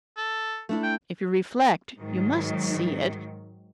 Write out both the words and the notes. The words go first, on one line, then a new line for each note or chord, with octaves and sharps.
If you reflect you must see it.
A4
A3 D4 E4
G5
G#2 D#3 F#3